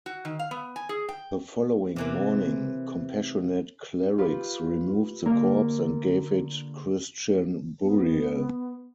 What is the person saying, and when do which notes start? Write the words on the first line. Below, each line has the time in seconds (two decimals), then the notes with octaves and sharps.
The following morning compassionate clerics removed the corpse and gave it Christian burial.
0.06 F#4
0.25 D#3
0.39 F5
0.51 B3
0.76 G#5
0.89 G#4
1.09 G5
1.96 C3 E3 A#3
4.18 F4 G4 B4
5.25 D3 A#3 A#4
7.83 B3